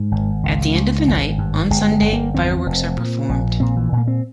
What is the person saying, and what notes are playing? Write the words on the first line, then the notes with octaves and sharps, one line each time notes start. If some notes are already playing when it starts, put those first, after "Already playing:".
At the end of the night on Sunday, fireworks are performed.
Already playing: G#2
G#1
C#2
C#2
G#1
G2
G1 G#3
G#3
G1
A#3
E2 C4
F1
A#2
A#1
A#2 C4
E3
A#2
A#3
C4